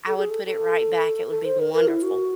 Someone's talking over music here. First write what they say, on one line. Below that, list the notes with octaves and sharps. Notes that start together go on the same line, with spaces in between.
I would put it right back, it would be wonderful.
A4
G#4
A4
A4
A4
C5
A#4
A#4
E4
F#4